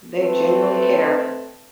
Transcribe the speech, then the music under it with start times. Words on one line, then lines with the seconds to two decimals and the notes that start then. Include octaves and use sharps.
They genuinely care.
0.17 A3 C4 B4